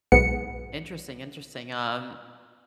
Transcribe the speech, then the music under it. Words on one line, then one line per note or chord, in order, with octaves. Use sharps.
Interesting, interesting, um,
B1 G#2 B3 C#7